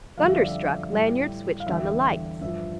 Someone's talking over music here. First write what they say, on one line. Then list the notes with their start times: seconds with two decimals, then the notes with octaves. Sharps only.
Thunderstruck, Lanyard switched on the lights.
0.18 F2 D3 G3 F5
0.27 E5
0.38 D5
0.48 E5
0.92 A2 G3
1.60 F5
1.67 E2 D3 G3 E5
2.41 G2 F3 E5